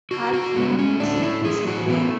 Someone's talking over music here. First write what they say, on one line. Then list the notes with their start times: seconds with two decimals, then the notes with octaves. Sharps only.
Half your music is black.
0.11 C#3 F#4
0.33 C#3 F#4
0.56 G#3 B3
0.79 A2 C#4
1.00 A3 D4
1.22 A2 E4
1.45 F#3 G#4
1.67 A2 F#4
1.89 A3 B3